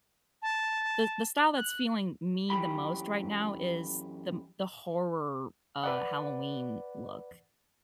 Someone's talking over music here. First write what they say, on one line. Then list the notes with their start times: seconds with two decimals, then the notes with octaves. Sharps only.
the the style that's feeling me the most right now is the the horror, uh, Halloween look.
0.42 A5
1.57 F#6
2.50 F#2 E3 G4 B5
5.83 B4 D5 F#5